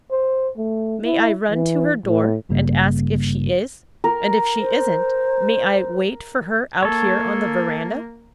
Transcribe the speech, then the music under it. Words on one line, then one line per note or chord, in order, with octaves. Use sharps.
"May I run to her door and ask if she is?--and if she isn't, may I wait for her out here on the veranda?"
C5
A3
E4
E3
A2
G#1 G2 C#3 G3 A#3
A#4
C5
A#3 A4 C#5